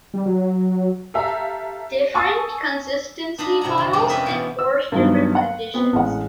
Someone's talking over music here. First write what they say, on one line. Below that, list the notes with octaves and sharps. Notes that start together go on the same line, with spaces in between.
Different consistency models enforce different conditions.
G3
F#3
G4 A4 E5 F5 A#5
G#5 A5 C#6 D#6 E6 A6
D4 D#4 D#5 F5 A#5 B5
C3 C4 F#5 G#5 A#5
F2 D3
C3 G#3 B3 C4 F4
C#4 F4 G4 B4 D#5 E5
B2 E3 B3
E6
G2 D#3 F#3 B3
F5 F#5
B3 C4
A1 G#3 F#5